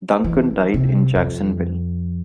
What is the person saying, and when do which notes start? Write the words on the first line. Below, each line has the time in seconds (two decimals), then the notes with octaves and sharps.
Duncan died in Jacksonville.
0.24 E3
0.74 C3
1.15 F2